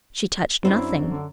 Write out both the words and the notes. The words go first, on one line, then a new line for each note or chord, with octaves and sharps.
She touched nothing.
F#2 C4 D4 E4
D3